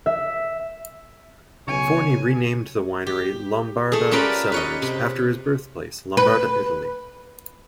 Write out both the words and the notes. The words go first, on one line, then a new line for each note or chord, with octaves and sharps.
Forni renamed the winery Lombarda Cellars after his birthplace; Lombarda Italy.
E5
B1 C#3 C#5 G#5
G4
A3 G#4
C#4 F4 G4 A#4 B4 D5
B4 C#5 D#5
C3
B4